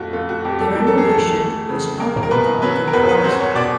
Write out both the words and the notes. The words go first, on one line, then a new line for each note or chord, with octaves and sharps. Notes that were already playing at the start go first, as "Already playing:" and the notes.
The renovation was not without controversy.
Already playing: F2 A3 F4 F#4
A3 F4
F#4
F2 G4
A4
F3 A#4
A4
G#4
A3 A4
A3
C#3
A#3 A#4
A#4
B2 B4
F#3 B4
A#4
E2 B4
B4
C#5
F#3 C5
C#5
B2 D5